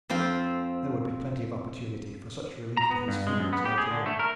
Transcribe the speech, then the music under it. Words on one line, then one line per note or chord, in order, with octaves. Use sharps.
There would be plenty of opportunity for such relief to his feelings later on.
F2 C4 F4 C5
A#5
B3
G2
G#3
F#2
B3
G4
G#4
D3
A3
A#4